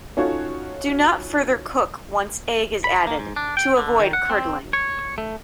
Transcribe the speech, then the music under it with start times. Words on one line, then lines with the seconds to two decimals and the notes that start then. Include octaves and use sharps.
Do not further cook once egg is added, to avoid curdling.
0.17 C#4 D#4 F4 F#4 A4 C#5
2.84 B5
3.07 A#3
3.19 G#2
3.36 D4
3.57 G5
3.77 D3
4.00 D#3
4.13 F#5
4.30 C4
4.73 C#5
5.18 A3